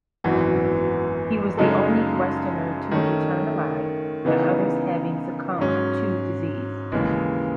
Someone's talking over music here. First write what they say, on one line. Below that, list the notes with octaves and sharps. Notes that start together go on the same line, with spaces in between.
He was the only Westerner to return alive, the others having succumbed to disease.
G#1 F#2 E3 B3 F#4
F#2 C#3 G#3 D#4 A4
D#3 A3 C#4
C#3 E3 B3 D#4
G#2 F#3 C#4
D#2 C#3 E3 G#3